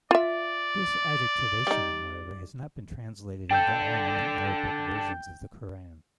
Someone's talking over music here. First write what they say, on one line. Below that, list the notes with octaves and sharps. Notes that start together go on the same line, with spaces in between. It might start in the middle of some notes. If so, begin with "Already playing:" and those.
This adjectivation, however, has not been translated into all non-Arabic versions of the Quran.
F4 D5 E5
G3 D#4
D4 A4 G5 G6